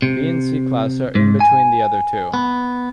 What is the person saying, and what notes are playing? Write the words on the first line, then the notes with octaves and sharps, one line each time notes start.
B and C-Class are in between the other two.
C3
G#2
G#5
B3